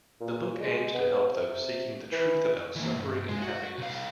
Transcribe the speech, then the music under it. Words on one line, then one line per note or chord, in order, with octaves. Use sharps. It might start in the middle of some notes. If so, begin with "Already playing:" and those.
The book aims to help those seeking the truth about suffering and happiness.
A#2
G#3
B3
C3
E3
E3 A#3
C2 G2
G#3
F#4
C2 F5